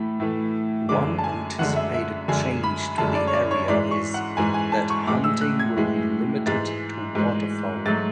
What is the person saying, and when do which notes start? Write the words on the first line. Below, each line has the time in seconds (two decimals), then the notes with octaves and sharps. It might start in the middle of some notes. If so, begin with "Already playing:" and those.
One anticipated change to the area is that hunting will be limited to waterfowl.
Already playing: A2 E3 A3 B5
0.20 A2 E3 A3
0.89 F#2 D3 G#3 D6
1.18 A5
1.24 G#5
1.59 F#2 D3 G#3 F#5
1.76 E5
1.94 E5
2.28 F#2 D3 G#3 G#5
2.63 B5
2.98 F#2 D3 G#3 A5
3.15 D5
3.27 C#5
3.33 D5
3.51 C#5
3.68 G#2 E3 G#3 D5
3.91 C#6
4.14 F#5
4.37 G#2 E3 G#3 G#5
4.54 G#5
4.72 A5
4.90 C#6
5.07 A2 E3 G#3 D6
5.24 E6
5.41 F#6
5.59 G#6
5.77 A2 E3 G#3
6.46 G#2 E3 G#3 A6
7.15 G#2 E3 G#3
7.86 G#2 F#3 A3 A6